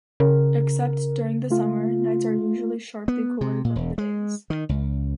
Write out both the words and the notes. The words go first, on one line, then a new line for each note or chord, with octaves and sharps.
Except during the summer, nights are usually sharply cooler than the days.
C#3 A#4
A3 F4
B3
C3
A#2
E1
G#3
D#3
C#2